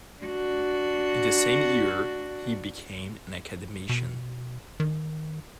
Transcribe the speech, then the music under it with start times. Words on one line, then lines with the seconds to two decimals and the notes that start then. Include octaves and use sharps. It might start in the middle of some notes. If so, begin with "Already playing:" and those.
In the same year he became an Academician.
0.22 D4 F#4
3.89 B2
4.80 D#3